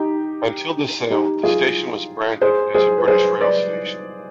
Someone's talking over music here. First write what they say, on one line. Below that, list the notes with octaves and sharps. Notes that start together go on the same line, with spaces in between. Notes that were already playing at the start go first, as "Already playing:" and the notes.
Until the sale, the station was branded as a British Rail station.
Already playing: D#4 G4
D#4 G4
F4 G#4
G#4 C5
G#4 C5
B4
G#4 C5
B4 D5